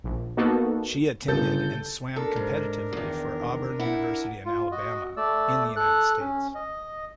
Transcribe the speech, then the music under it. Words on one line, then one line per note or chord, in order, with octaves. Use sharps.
She attended and swam competitively for Auburn University in Alabama, in the United States.
A#1
A#3 B3 D#4 F#4 A4
G1 C#3 A4 G6
D4 A4 A#4
G#2
E2 D#3
E4 F#5
F4
F#4 D#5
A3 D5 E6
A4 F#6
C#4
D#5